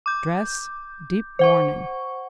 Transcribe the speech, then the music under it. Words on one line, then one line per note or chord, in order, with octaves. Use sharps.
Dress--deep mourning.
D6 G6
C5 F#5 C#6